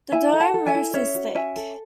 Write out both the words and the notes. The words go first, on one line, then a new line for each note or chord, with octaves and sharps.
The dome roof is thick.
E4 E5 G#5
A4
F#5 A5
A4
E5 G#5
E4
C#4 C#5 E5
F#4
C#4 E5 G#5
A4